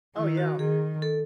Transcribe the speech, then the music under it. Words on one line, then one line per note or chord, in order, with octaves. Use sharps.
Oh yeah,
D#3 E4
F#4
D#3 G#4
A4